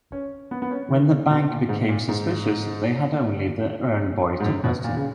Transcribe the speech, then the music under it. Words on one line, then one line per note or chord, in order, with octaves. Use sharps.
When the bank became suspicious, they had only the errand boy to question.
C#4
B3
B3
C#4
D#3
C#3
B2
A#2
G#2
A#2
G#2
G#2
F#2
B2
A#2
C#3